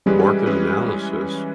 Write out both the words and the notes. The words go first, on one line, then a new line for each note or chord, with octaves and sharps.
market analysis
E3 G3 G#3 C#4 G#4 B4
E3 G#3 C#4 G#4 B4